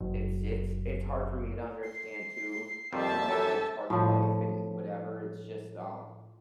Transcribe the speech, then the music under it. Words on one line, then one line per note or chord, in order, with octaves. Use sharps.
it's it's it's hard for me to understand too. I know it's, like, part of life and whatever, it's just, um
F#1
C7
F2 D#3 G3 C4 G4 E5 A5
F#2 E3 G4 A4
A2 F3